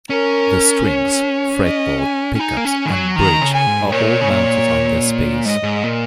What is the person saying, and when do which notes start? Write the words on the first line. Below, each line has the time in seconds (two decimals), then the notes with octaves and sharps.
The strings, fretboard, pickups and bridge are all mounted on this piece.
0.09 C#4 A#4
0.86 C#5
1.63 D#5
2.01 G#5
2.35 C#4
2.39 D#4 G#5
2.57 A#3
2.65 C#4
2.86 D#3
2.90 F#3
3.16 D#3 A#5
3.41 C#3
3.54 G#5
3.66 G#2
3.92 A#2 C#5
4.21 C#3
4.30 A#2
5.45 G#2 D#5
5.63 G#2
5.83 A#2